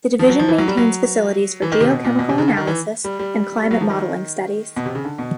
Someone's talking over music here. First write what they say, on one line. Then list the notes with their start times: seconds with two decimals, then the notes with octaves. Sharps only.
The division maintains facilities for geochemical analysis and climate modeling studies.
0.19 F3
0.30 F#3
0.39 F3
0.48 E3
0.58 F#3
0.68 G3
0.77 F#3
1.62 E3
1.72 D#3
1.81 C3
1.90 B2
2.04 A#2
2.19 B2
2.29 C3
2.38 C#3
2.48 D3
2.57 D#3
2.67 E3
3.04 G3
3.19 G3
3.62 G3
3.71 F#3
3.81 F3
3.90 D#3
4.76 B2
4.85 C3
4.95 C#3
5.05 D3
5.19 B2